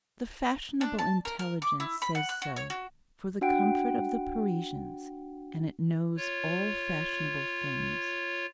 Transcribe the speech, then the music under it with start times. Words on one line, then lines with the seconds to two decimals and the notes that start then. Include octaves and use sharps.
The fashionable intelligence says so for the comfort of the Parisians, and it knows all fashionable things.
0.81 D4
0.98 A5
1.25 A#4
1.39 A#4
1.62 D6
1.80 E4
2.02 B5
2.15 F#5
2.29 F#6
2.42 F#4
2.56 C#5
2.70 F#4
3.41 D4 F#4 F#5 G5 D7
6.17 F4 C#5